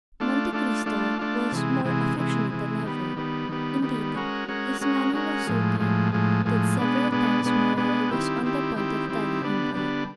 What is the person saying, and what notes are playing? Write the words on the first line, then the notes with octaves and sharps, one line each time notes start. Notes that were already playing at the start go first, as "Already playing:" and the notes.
Monte Cristo was more affectionate than ever,--indeed, his manner was so kind that several times Morrel was on the point of telling him all.
A3 D4 F4
A3 D4 F4
A3 D4 F4
A3 D4 F4
C3 E3 G#3
C3 E3 G#3
C3 E3 G#3
C3 E3 G#3
D#3 G3 B3
D#3 G3 B3
D#3 G3 B3
D#3 G3 B3
G#3 C#4 F#4 A#4
G#3 C#4 F#4 A#4
G#3 C#4 F#4 A#4
G#3 C#4 F#4 A#4
A2 F3 G#3
A2 F3 G#3
A2 F3 G#3
A2 F3 G#3
B2 G#3 B3 D4
B2 G#3 B3 D4
B2 G#3 B3 D4
B2 G#3 B3 D4
D#3 G3 C4 E4 G4
D#3 G3 C4 E4 G4
D#3 G3 C4 E4 G4
D#3 G3 C4 E4 G4
D3 G3 B3 D4
D3 G3 B3 D4